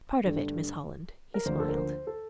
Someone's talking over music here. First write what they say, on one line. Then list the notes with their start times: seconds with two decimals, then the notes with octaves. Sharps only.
"Part of it, Miss Holland," he smiled.
0.24 G2 D3 A3
1.34 A#4
1.46 D2 D3 F3 A#3 D4 C5
1.60 A4
1.69 A#4
1.76 C5
2.07 A4